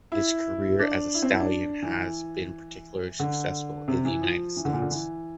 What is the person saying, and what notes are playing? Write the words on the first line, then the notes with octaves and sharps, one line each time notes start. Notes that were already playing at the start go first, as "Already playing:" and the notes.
His career as a stallion has been particularly successful in the United States.
E4
D4
E4
C4
E4
D4
E3
D3
C3
E3
F3
E3
D3
A#2
D3
E3